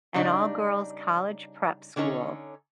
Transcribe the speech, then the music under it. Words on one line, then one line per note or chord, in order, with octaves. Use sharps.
an all-girls college prep school
C#3 G3 D4 D#4
D3 C#4 D#4 A4 C#5